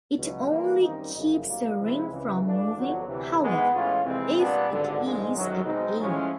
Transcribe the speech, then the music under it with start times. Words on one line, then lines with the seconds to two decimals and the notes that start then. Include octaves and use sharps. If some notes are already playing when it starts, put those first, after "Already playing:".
It only keeps the ring from moving, however, if it is at "A".
0.16 C#2 B2 F#3
0.48 E3 G3 A#3
0.80 F#2 D#3 G3 C4 D#4
1.13 G1 F#2 C#3
1.45 B1 A#2 G3 A#3
1.78 C3 F3 G#3 C4 E4
2.10 C#2 C#3 E3
2.42 G2 E3 A3 D4 F4
2.74 G1 F2 D3 F#3 B3
3.06 D2 C3 E3
3.39 G#2 E3 G#3 B3
3.71 A2 E3 G#3 C#4 F4
4.04 F2 C3 E3 G#3 C4
4.36 A#2 G3 B3 D4
4.68 G#1 G2 D3
5.00 A#1 G#2 D#3 G#3
5.33 G1 F#2 D#3 F#3
5.65 B2 G#3 C4 D#4
5.97 A2 F3 G#3 C#4 E4